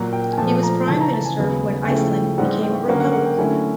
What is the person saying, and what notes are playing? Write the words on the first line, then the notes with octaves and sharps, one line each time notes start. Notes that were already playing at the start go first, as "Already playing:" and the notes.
He was prime minister when Iceland became a republic.
Already playing: A#2 F#3 A#3 F#5
G5
G#5
A#2 F3 A3 A5
A#5
C#3 E3 G#3 A5
A#5
A5
G#5
D#2 C#3 F#3 B3
G#5
C#3 F3 A3 C#4 E4 G5
G5
G#2 E3 G3 C4 F#5
G5
D3 F#3 A#3 C#4 F#5
F#5
F#5
G5
D3 F#3 A3 C#4 E4 G#5